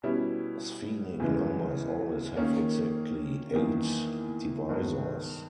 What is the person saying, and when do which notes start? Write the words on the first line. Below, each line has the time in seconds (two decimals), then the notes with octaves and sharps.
Sphenic numbers always have exactly eight divisors.
0.03 B2 G3 C#4 E4
1.20 E2 C#3 E3 G#3
2.37 D#3 A#3 C#4
3.53 E2 D#3 A#3
4.69 G2 D#3 G#3 B3